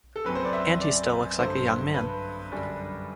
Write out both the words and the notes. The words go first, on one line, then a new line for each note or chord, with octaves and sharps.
And he still looks a young man.
A4
F#2 F#3 C4 B4
C5
D5
E5
D5
G2 D3 F#3 A3 C5
B4
F#2 D3 G3 D4